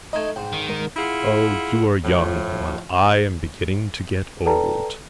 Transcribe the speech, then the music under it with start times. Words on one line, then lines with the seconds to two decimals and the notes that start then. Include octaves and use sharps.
Oh, you are young while I am beginning to get old.
0.13 A3 D#4 D#5 G#6
0.36 G#2 G5
0.53 D#3
0.69 G#3 A#4
0.97 E4 F4 G#4 F#5
2.04 A2 F3
4.46 A4 B4 D5 G5 A5 A#5